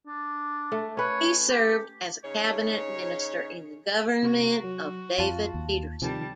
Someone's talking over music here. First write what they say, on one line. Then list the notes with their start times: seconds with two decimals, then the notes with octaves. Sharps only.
He served as a cabinet minister in the government of David Peterson.
0.07 D4
0.72 A3
0.97 C#4 B4 C#5
1.49 G4
2.23 C#3 D#4 C#5
4.23 C3 F#4
4.64 F#3
5.18 F2 F4 A5
5.54 D#2
6.02 C3 D#3 F3 G3 A5